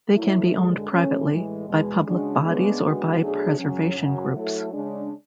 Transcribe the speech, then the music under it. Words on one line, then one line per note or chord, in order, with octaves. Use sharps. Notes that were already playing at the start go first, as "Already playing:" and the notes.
They can be owned privately, by public bodies or by preservation groups.
F#3 A3 E4
F#2 D3 G#3
E2 C#3 E3 A3 C#4
A2 E3 G#3
E2 B2 G#3
C#3 G#3 D4 F#4
C#3 G#3 B3 D4
F#2 D3 G#3 B3 F#4
B2 F#3 A3 D4 G#4
F#2 C#3 F#3 C#4
F#2 C#3 F#3
F#3 A3 E4 A4
C#3 G#3 D4